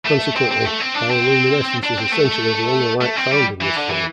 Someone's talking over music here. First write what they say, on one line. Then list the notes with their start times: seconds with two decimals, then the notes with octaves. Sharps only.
Consequently, bioluminescence is essentially the only light found in this zone.
0.06 A3
0.36 C4
0.51 C4
0.65 A3
0.80 C4
0.94 D4
1.09 C4
1.84 D4
1.98 C4
2.13 A3
3.01 A3
3.16 C4
3.32 G3
3.61 E3
3.76 D3
3.90 E3